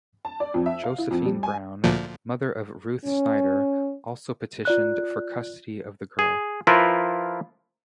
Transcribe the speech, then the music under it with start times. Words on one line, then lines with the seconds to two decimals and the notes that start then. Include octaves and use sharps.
Josephine Brown, mother of Ruth Snyder, also petitioned for custody of the girl.
0.25 A5
0.40 D5
0.54 F2
0.66 E5
0.83 F5
0.98 E4
1.11 F2
1.26 G3
1.43 G#5
1.84 D2 A#2 F3
3.05 C#4
4.65 F4 D5 F#6
6.19 G#4
6.67 F3 E4 F4 A#4 B4